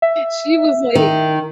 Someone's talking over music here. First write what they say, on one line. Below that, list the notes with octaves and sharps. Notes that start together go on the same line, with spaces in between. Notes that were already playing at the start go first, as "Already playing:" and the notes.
she was like,
E5
D#3